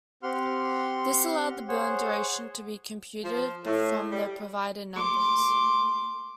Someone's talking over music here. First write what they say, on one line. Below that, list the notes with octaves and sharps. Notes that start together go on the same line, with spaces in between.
This allowed the burn duration to be computed from the provided numbers.
C4 G4 F#5 C6 F6
G#4 C5 C#5 F#5
F3
A2
G3
C6 D6